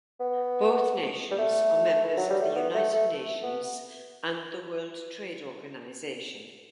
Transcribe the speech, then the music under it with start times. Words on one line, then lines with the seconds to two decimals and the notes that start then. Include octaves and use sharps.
Both nations are members of the United Nations and the World Trade Organization.
0.20 B3
1.31 G3
1.38 A3
2.04 E3
2.17 F#3
2.30 G3
2.41 A3
2.55 B3
2.74 A3
2.93 A3
3.13 A3
3.42 B3